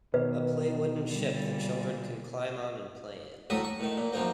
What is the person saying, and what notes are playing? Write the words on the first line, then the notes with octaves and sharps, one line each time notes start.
A play wooden ship that children can climb on and play in.
B2 D#3 B4
A#2 D3 G3
D2 A2 E5 A#5 C#6 D#6
C#6
A2 D#3
A#2
F#2 D#3 F3 A#3